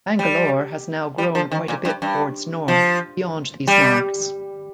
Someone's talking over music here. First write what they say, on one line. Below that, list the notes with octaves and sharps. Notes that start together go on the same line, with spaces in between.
Bangalore has now grown quite a bit towards north, beyond these marks.
G3
G3
F3
D#3
A#2
G2
G2
F3
G3